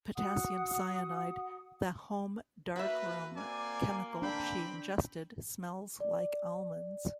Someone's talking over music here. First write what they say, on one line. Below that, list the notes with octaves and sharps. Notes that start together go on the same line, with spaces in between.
Potassium cyanide, the home darkroom chemical she ingested, smells like almonds.
F#4 F#5 D#6
A#3 F#4 B4 E5
A#3 C4 D5 G#5
C4 D4 G5 B5
D5